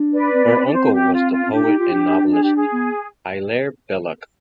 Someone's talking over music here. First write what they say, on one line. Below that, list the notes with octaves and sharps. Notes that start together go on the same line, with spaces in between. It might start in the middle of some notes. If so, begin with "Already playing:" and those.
Her uncle was the poet and novelist Hilaire Belloc.
Already playing: D4
B4 D5
C4
B3
C4
D4 D5
C4 C5
G4
F4
F4
C4
D4 G4
D#4
F4
D4
G#4
G4
G#4
B3